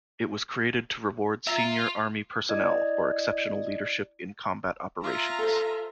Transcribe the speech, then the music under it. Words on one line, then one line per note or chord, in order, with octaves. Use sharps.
It was created to reward senior army personnel for exceptional leadership in combat operations.
F4 E5 A#5
E4 D5 D#5 G#6
F4 E5 A#5 A#6
A4 C5